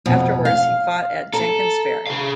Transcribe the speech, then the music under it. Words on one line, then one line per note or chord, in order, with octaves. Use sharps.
Afterwards he fought at Jenkin's Ferry.
F2 B2
F5
A4 A#5
G#4 F5